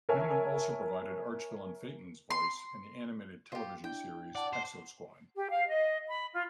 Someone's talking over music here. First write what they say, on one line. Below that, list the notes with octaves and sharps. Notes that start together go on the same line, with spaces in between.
Newman also provided arch-villain Phaeton's voice in the animated television series "Exosquad".
A#4 C#5 E5 G#5 A5
C6
F4 G4
D4 E4 G5
D5 F#5 A5
C5
G4
F5
D#5
B5
F4